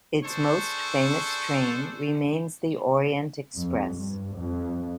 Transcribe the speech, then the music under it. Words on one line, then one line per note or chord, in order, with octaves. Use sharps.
Its most famous train remains the Orient-Express.
D4 G#4 A4 C5 C#6
F2
G2
F2